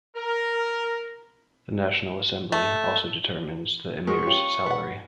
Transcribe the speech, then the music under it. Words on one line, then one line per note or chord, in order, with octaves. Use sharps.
The National Assembly also determines the Emir's salary.
A#4
A3
G#3 F#4 A#4 C#6
C#4 F4 G4
B4 F#5